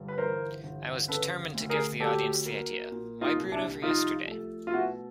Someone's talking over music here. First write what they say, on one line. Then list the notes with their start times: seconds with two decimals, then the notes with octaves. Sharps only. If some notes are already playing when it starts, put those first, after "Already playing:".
I was determined to give the audience the idea: why brood over yesterday?
Already playing: G1 G2
0.08 B4
0.18 E3 A#4 C5
0.63 G1
1.08 C#3 A4 B4
1.54 D2
1.70 G#4 A#4
2.00 F#3 G4 A4
2.46 A#3
2.92 A#2
3.21 D#4 F4
3.36 C2
3.52 D4 E4
3.82 F3 D#4 F4
4.27 A3
4.67 F4
4.73 B2 E4 F#4